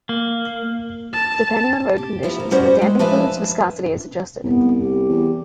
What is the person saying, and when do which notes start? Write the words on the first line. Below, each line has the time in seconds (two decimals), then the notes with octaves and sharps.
Depending on road conditions, the damping fluid's viscosity is adjusted.
0.09 A#3
1.13 A5
1.98 G4
2.23 F3 B3 E4
2.40 A#3
2.51 G3 B3 C#4 F#4 C5 F#5
2.82 G#3
2.99 F3 D4 B4 E5 F5 G#5
4.43 C2 B3
4.80 G4
5.09 E2